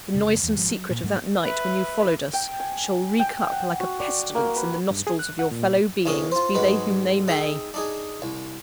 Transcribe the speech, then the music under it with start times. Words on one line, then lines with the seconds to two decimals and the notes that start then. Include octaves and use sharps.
The noisome secret of that night when you followed us, shall reek up like a pestilence in the nostrils of your fellow-beings, be they whom they may.
0.14 F1 C#3 G#3
0.43 E2
0.56 G#1 F3 G#3
0.70 F#3
0.90 A#2
1.03 G#2 F#3 A3
1.42 B4 E5
2.33 G5
2.60 G#5
3.19 G5
3.51 F#5
3.80 F#4
4.00 D5
4.35 A#3
4.56 B4
4.91 G2
5.07 G#4
5.19 F#6
5.39 F#5
5.51 A#2
6.06 E2 C3 C#4 F5 D#6
6.32 F4 C5
6.55 G#2 F#3 G#3 B4
7.28 D#4 G#4 E5 G5
7.74 D4 D#4 G#4
8.22 C2